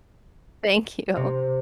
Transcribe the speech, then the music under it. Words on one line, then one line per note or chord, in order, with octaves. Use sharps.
Thank you.
C3